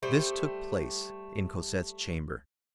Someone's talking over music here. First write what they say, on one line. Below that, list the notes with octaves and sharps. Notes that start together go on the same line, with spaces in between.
This took place in Cosette's chamber.
G3 A3 C5